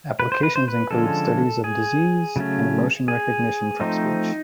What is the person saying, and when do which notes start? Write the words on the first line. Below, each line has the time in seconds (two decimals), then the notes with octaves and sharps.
Applications include studies of disease and emotion recognition from speech.
0.20 B4
0.32 C5
0.43 B4
0.56 C5
0.68 B4
0.91 D3 F3 G#3 C#4 A4
1.64 G#4
2.36 C#3 F#3 A3 C#4
3.08 G#4
3.80 F3 A3 C4 D#4